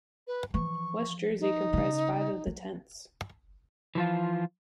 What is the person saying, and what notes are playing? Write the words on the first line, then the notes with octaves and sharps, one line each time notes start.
West Jersey comprised five of the tenths.
B4
E3 F3 C#6
D#4
C#3 C#4
F#3
E3 F3 F4